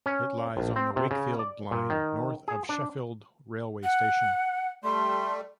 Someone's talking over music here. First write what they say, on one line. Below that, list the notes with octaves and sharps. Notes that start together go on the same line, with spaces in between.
It lies on the Wakefield Line north of Sheffield railway station.
C#4
A#1
C4
C3
C#3
D5
A#2
D#3
G#4
D4
F#5
G3 A3 C6